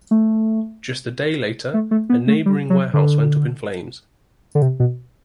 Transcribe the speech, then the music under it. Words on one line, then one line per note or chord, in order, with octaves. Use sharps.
Just a day later, a neighbouring warehouse went up in flames.
A3
A3
A3
B3
A3
G3
F#3
D3
D3
C3
B2